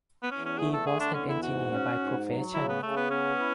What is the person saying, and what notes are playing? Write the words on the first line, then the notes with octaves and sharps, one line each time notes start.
He was an engineer by profession.
B3
E2 C#4
C#4
A3 G#4
A4
D3 G#4
D4
E2 C#4
E4
G#2 F#4
C#4
G#2
F#3
C#3 E4
B3
C#3 A3
B3
B3 C#4
E4